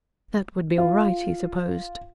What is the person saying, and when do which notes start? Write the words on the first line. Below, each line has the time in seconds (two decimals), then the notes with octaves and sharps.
That would be all right, he supposed.
0.78 F4